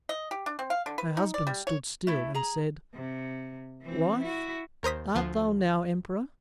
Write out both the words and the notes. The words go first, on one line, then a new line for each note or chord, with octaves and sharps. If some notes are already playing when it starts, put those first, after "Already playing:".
Her husband stood still, and said, "Wife, art thou now emperor?"
D#5
G4
D4
C4
F5
D3
B4
D#4
D5
G3
C#5
A3 E4
G#4 A#5
C3
E3 C4
E4 F#4
D#2 A#4 C5 D#6 B6
D2 F3